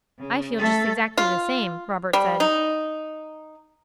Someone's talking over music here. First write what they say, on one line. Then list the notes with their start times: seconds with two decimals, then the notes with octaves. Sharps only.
'I feel just exactly the same,' Robert said.
0.19 C#3
0.58 A3 A4
1.17 F4
2.13 G3
2.40 D#4